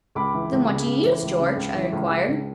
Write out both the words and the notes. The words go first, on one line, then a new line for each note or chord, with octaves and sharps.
"Then what do you use, George?" I inquired.
C#2 B5 D6
E3
C#2
C#3
C#2
E3
C#2
C#3
C#2
E3
C#2
C#3
C#2